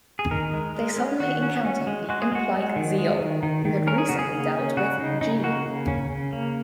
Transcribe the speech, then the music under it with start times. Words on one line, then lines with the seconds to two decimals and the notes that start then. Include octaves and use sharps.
They suddenly encounter the imp-like Zeal, who had recently dealt with "G".
0.19 G#4
0.31 D#3 A#4
0.53 G#3
0.75 G#3
0.98 C#4
1.20 D#3 F#4
1.43 C#4
1.65 C#4
1.87 G#3
2.09 G#3 F#4
2.22 G#4
2.32 G#3 F#4
2.54 G#3
2.76 D#3
2.98 G#3
3.20 D#3
3.43 D#3
3.65 D#3
3.87 C#4 A#4
3.98 G#4
4.09 C#3 F#4
4.19 G#4
4.32 A#3
4.54 C#4
4.77 C#3 F#4
4.99 C#3 D#4
5.21 C#3 D#4
5.43 A#3 F#4
5.66 C#3
5.88 C#4
6.10 C#3
6.33 A#3